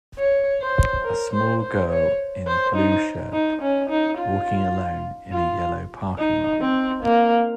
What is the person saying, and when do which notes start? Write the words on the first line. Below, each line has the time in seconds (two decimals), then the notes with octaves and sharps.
A small girl in blue shirt walking alone in a yellow parking lot.
0.18 C#5
0.62 C5
1.04 A#4
1.33 C5
1.62 C5
1.90 C#5
2.47 C5
2.75 D#4
3.33 D#4
3.62 C#4
3.90 D#4
4.18 F4
5.32 F4
6.18 D#4
6.61 C4
7.03 A#3